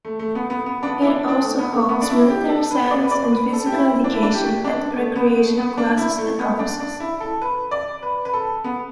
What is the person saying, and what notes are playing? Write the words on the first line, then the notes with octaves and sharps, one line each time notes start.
It also holds Military Science and Physical Education and Recreation classes and offices.
A3
A3
B3
B3
B3
D4
B3
E4
D4
D4
A3
B3
A3
B3
D4
E4
G4
A4
B4
D5
B4
D5
B4
A4
G4
E4
D4
E4
D4
G4
D4
A3
B3
B3
A3
B3
D4
E4
A3
B3
D4
D4
E4
A4
B4
D5
B4
B4
A4
B3